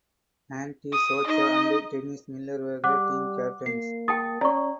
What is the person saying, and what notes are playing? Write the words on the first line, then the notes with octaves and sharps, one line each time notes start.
Andy Socha and Dennis Miller were the team captains.
D#6
D#4 D#5
G3 F#5 D6 F#6
A#3 C7
G5 A5 D#6 A6
C#4 D5 A#5 C#6